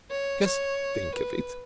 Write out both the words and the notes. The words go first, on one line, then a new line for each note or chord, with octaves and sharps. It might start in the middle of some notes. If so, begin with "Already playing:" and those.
Just think of it!
C#5
C#5
B4